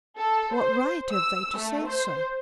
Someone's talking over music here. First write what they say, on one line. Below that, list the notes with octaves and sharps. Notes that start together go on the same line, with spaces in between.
What right have they to say so?
A4
C5
E6
A3
C5